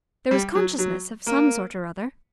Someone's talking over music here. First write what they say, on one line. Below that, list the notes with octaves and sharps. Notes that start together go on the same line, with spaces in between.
There was consciousness of some sort or other.
G3
F#3
F#3
A#3